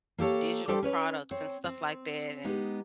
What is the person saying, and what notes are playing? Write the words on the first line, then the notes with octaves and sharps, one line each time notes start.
digital products and stuff like that, and
A#3 G4 A4 C#5
G3 D4 G4 A4 C5 G5
C#4 B4 C#5
C4 C#5
C4
G#3 B3 D#4 G4